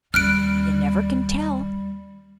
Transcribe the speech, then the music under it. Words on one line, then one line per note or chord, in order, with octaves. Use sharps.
You never can tell.
D#2 G3 C#4 F6 F#6 D7